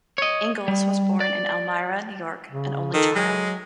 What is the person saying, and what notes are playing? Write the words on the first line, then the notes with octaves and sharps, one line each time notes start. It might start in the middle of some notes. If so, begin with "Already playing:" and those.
Ingalls was born in Elmira, New York, an only child.
C#5 D#5
G3
D5
C#3
D#3 A4
F#3 G#3